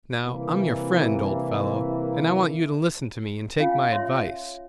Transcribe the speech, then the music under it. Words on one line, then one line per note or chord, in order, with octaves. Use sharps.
Now, I'm your friend, old fellow, and I want you to listen to me and take my advice.
C3 E3 G3 A#3 E4
C#4 F4 F5 G5 G#5
C#5 E5 C6